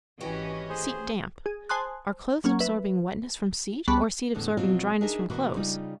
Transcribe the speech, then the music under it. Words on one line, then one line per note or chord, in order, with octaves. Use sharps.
Seat damp... are clothes absorbing wetness from seat, or seat absorbing dryness from clothes?...
G#1 E3 C#4 F#4 G4 B4 D#5
A3 G#4 C5
G#4
C5 G#5 A5 C6 D#6 F#6
F#3 A#3 C#4
B4 E5
C#2 G3 B3 A5 B5 C#6
E2 A2 D3
B2 F3 F#3 C4 F4 F#4
D4 D#4 G#4 A#4 E5
B2 E3 A#3 E4 F#4
C#3 G3 D#4 F4